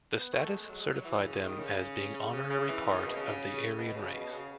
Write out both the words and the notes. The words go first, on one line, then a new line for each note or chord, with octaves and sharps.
The status certified them as being honorarily part of the Aryan race.
B3
A3
G#3
F#3
G#3
F#3
E3
C#3
D#3
C#3
C#3
C#3
E3
D#3
C#3
B2
C#3
B2
C#3
B2
C#3